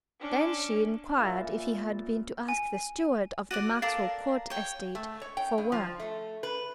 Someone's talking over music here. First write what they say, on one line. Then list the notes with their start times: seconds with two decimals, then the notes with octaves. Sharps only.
Then she inquired if he had been to ask the steward of the Maxwell Court estate for work.
0.20 C#4 D4
1.17 A#2 C#3 E5 B5
2.49 G#5
3.51 F#4 D5 F#5 D#7
3.82 A4 A#4 D5 F5
4.50 C#5 G5
4.95 A3
5.22 C#5
5.37 G5
5.58 G2
5.72 F3
6.00 A3
6.43 B4